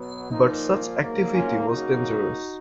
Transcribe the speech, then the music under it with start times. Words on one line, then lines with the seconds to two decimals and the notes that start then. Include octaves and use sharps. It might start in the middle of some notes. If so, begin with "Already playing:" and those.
But such activity was dangerous.
Already playing: B2 F#3 B3
0.31 A#2 F3 A#3 D#4
1.00 G#2 F#3 A#3
1.35 C#4 F4
1.69 C#3 F#3 A#3 D#4 F#4